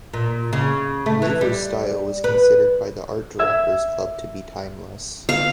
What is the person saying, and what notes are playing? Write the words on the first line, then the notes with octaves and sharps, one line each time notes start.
Weaver's style was considered by the Art Directors Club to be "timeless".
A#2
C#3
A3
E3
G3
B4
E5 E6 G#6
F5